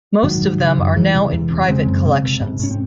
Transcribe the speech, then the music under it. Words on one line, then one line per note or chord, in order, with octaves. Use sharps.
Most of them are now in private collections.
G#2 D#3 F#3
G#2
C#3
F#2
E2 E3 G#3
C3
E2
C3
C#3 G#3 C4
F#2
C3
C3
G#2
G#2 C#4
C4